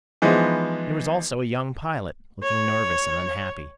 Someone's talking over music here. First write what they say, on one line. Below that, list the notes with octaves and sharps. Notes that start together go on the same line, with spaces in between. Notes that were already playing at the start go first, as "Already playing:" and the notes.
There was also a young pilot, looking nervous and unhappy.
E3 F3 G#3 B3 D#4
C#5